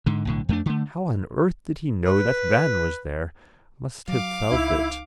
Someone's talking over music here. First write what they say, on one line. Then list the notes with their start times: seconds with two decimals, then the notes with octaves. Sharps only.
How on earth did he know that van was there? Must have felt it.
0.06 G#2 D3
0.25 B1 A2 D3
0.49 F2 A3 D4
0.66 D3 A3
2.06 B4
4.08 F#3 F5 D6
4.51 C#2 D#4 E4